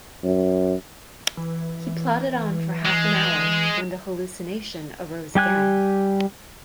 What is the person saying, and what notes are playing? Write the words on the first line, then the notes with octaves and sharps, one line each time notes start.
He plodded on for half an hour, when the hallucination arose again.
F#2
E3
G#3
G3 G4 G#5 F#6